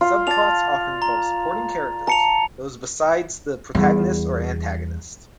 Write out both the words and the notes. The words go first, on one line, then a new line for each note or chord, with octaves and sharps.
Subplots often involve supporting characters, those besides the protagonist or antagonist.
F4
D5 A5 A6 F7
A#5
A5 A#5 C#7 F7
E2 G3